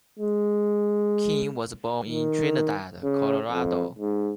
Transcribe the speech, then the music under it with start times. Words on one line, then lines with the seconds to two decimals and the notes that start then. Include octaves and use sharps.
King was born in Trinidad, Colorado.
0.19 G#3
2.09 D#3
3.03 C#3
3.51 F2
3.99 G#2